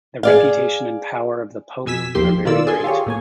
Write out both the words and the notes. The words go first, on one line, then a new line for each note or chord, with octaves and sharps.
The reputation and power of the pope are very great.
G#4 D5 F5
F2 B2 G#5 E6 B6
A1 D#2 F3 A#3 G4 C6
B2 D#3 A#3 F4 D5 E6
G#4 A4 G#5 C6
F4 G4 G#4 C#5
A2 A#3 G#5